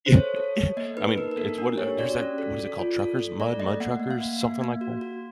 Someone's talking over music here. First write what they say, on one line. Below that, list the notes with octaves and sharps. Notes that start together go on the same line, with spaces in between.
I mean, it's what, uh, there's that, what is it called, truckers, mud mud truckers, something like that?
C5
A4 C#5
A4
A4
A#3 D#5
D#4 B4
D#4 A#4
A#4
A#3 A4
D4 A#4
G4 C#5
F#4 D5
C#4
A4
A4
F4
A4
A4
A3 D5
A3 D#5
A#3 F#5
A#3
F5
A#3
A#3
A#3
F#4
F#4